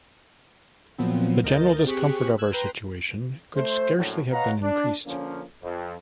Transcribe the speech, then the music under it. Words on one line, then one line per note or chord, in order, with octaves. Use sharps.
The general discomfort of our situation could scarcely have been increased.
A#2 F3 F#3 B3 C4
D2 A#4 D#5 G6 A6
C4 G4 G#4 C#6 F#6 B6
E6 F#6 G#6
B4 G5 A#5 C6
A3 C5
A#1 F#2 A2
B4 C#5 D#5 F5 F#5 A#5
D4
D3 F3 A#3 C#4
F2